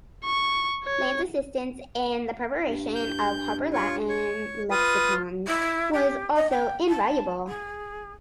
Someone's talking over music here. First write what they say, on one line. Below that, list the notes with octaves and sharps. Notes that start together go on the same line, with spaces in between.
Lane's assistance in the preparation of Harper's Latin lexicons was also invaluable.
C#6
C#5
G2
G6
F4 C#5
C#5
F4 B4 D#6
E4
G4
D#5
G5
A5
G#4